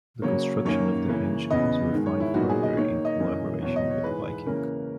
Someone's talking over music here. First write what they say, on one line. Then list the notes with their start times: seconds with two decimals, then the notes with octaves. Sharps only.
The construction of the hinge was refined further in collaboration with Viking.
0.22 C#3 F#3 A#3 C#5
0.65 F#2 D#3 A#3 C#4 C#5
1.08 C#3 E3 A#3
1.50 E2 C#3 E3 B3 D#5
1.92 G#2 D#3 G#3
2.06 C#5
2.20 E4
2.34 A#2 F#3 B3 D#4 F#4
2.49 G#4
2.63 D#5
2.77 D#3 A#3 D#4 C#5
3.05 D#5
3.20 F#2 E3 A#3 C#4
3.62 E2 B2 F#3 C#5
3.76 D#5
3.91 C#5
4.04 G#2 E3 G#3 B4
4.46 C#3 E3 A#3 C#4 A#4